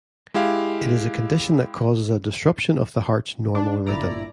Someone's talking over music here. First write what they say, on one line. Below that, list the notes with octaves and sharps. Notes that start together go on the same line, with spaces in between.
It is a condition that causes a disruption of the heart's normal rhythm.
G#3 E4 G4 F5
D4
G1 A#2 E4 D5 A#5